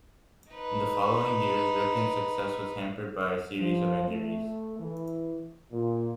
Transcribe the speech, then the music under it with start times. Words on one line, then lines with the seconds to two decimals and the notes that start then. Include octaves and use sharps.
In the following years, Ricken's success was hampered by a series of injuries.
0.52 D#4 B4
3.59 F3
4.08 A3
4.80 E3
5.72 A#2